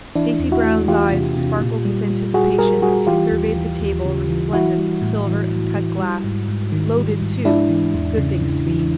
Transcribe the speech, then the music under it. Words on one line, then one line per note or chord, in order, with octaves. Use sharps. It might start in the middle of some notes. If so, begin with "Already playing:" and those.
Stacy Brown's eyes sparkled with anticipation as he surveyed the table resplendent with silver and cut glass--loaded, too, with good things to eat.
E3 D4 E4
E2
E4 F#4
A3
E3 F4 G4
C3
C3
A#2
G3
G3
G3 F#4 G#4
G3 G#4 A#4
G3 F#4 G#4
E3 F4 G4
D#2
E3
D#2
C#3
E3
E3 E4 F#4
G3
A2
E3
A2
E3
G3
G#2
G#2
D#3
G3
G#2
G#3 D4 E4
E3
E2
C#3
C#3
E3